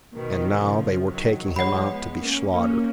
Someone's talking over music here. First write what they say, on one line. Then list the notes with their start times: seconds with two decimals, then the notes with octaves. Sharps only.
And now they were taking him out to be slaughtered.
0.13 B2 D#3
0.61 C#3 F3
1.08 D#3 F#3
1.56 F3 G#3 C#5 F#5 B5
1.88 G#3 B3
2.20 A#3 C#4
2.51 A#3 C#4